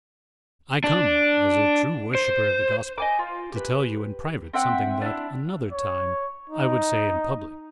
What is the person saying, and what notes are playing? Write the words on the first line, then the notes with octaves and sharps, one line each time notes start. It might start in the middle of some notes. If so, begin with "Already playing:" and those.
"I come, as a true worshipper of the Gospel, to tell you in private something that, another time, I would say in public."
D4
C5
D#5 G#5 D6
F4
G4 B4
C4 E5 F#5 G5
D4 E4
C#5
D#4